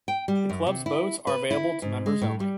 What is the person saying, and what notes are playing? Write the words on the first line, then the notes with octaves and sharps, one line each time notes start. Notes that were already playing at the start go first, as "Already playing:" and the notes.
The club's boats are available to members only.
G5
G3
F#2
C3
E4
B4
E4
G#2
G#3
A2
G3